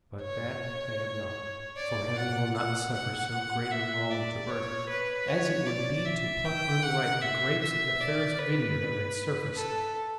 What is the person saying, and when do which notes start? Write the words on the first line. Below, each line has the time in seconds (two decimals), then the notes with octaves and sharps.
But that they have not, for Heaven will not suffer so great a wrong to Earth, as it would be to pluck unripe the grapes of the fairest vineyard on its surface.
0.21 C#5
1.77 D5
2.16 F#5
2.54 F#5
2.93 F#5
3.71 E5
4.11 D5
4.49 C#5
4.89 B4
5.28 C#5
5.67 D5
6.06 E5
6.45 G5
6.83 F#5
7.22 E5
7.62 E5
8.00 D5
8.39 B4
9.55 A4